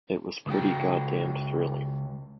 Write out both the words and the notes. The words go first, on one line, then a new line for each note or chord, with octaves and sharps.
It was pretty goddamned thrilling.
C#3 G#3 C#4 F#4 G5